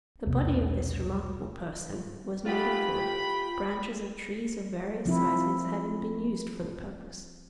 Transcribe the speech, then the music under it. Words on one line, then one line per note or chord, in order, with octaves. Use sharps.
The body of this remarkable person was made of wood, branches of trees of various sizes having been used for the purpose.
B1 E2 C3 A#3
F4 G4 G5 B5
F3 C4 E4